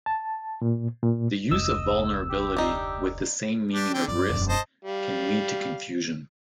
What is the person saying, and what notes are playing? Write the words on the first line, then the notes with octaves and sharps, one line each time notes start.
The use of vulnerability with the same meaning of risk can lead to confusion.
A5
A#2
A#2
F1 D2 D#5 E6
G4
D4 D#4
D4 G4
D3 G5
F#2 F#3 D5
E1 F#2
C5 D#5 A5
G3 F5